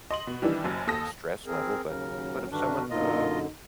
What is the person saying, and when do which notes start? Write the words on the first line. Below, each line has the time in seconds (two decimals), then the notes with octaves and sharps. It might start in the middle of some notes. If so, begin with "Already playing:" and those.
stress level, but but if someone, uh,
0.11 D#5 C6 F#7
0.27 B2
0.42 D#3 E3 G3 D4 E4
0.64 F#1 F#2
0.87 D#2 A4 D#6 A#6
1.46 C4 G#4 A#4
1.89 D#2 C#3 F#3 C#4 A#4
2.51 G2 D3 D#3 D4 F#4 A#4 B4
2.90 F#2 B2 D3 A#3 D#4 F4 D#5